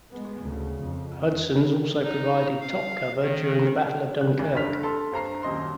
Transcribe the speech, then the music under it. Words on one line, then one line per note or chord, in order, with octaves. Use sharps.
Hudsons also provided top cover during the Battle of Dunkirk.
G#3 B3
D2 C#3
F2
D#4
F5
D#3
F#6
D2
F#1 D3 G3 F6 B6 F7
A4 C6 E6
G2 C5 A#5 C7
D#1 F#2 D#5 C6